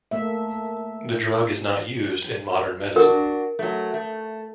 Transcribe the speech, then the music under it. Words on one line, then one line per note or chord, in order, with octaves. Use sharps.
The drug is not used in modern medicine.
A3 A#3 E5
D4 F#4 A#4
F#3 A3
A3